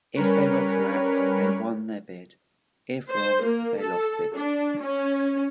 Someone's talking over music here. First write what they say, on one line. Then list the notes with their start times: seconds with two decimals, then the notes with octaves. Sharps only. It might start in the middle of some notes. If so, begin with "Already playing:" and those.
If they were correct, they won their bid; if wrong, they lost it.
0.16 G3 C#4 A#4 B4 C#5
3.10 C5
3.44 A#3
3.79 A4
4.36 D4
4.81 C#4